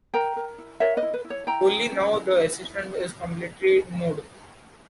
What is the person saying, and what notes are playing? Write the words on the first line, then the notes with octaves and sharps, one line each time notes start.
Only now the assistant is completely nude.
A#4 G5 A#5
A#4
E4
A#4 C#5 E5
B4 D#5
E4
B4
E4
C#5
E4 G5 A#5
C#4
C#4
E4
E4